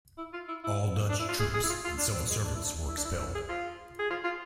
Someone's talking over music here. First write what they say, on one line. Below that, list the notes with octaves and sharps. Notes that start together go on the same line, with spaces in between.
All Dutch troops and civil servants were expelled.
E4
F4
E4
E4
D4
E4
F4
G#4
G#4
E4
F4
F4
D4
C4
G#3
D4
E4
D4
E4
D4
E4
E4
G#4
F4
G#4
F4
F4